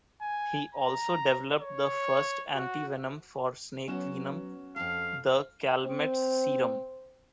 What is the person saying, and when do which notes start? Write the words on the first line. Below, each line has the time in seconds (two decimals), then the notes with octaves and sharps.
He also developed the first antivenom for snake venom, the Calmette's serum.
0.21 G#5
0.75 A#5
1.60 C#5
2.55 F#4
3.88 F#3 B3 C#4 F#4 E7
4.76 F2 F5 A5
5.85 C4